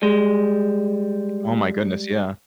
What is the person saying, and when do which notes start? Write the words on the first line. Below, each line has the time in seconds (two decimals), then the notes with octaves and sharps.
Oh, my goodness, yeah.
0.02 G3 G#3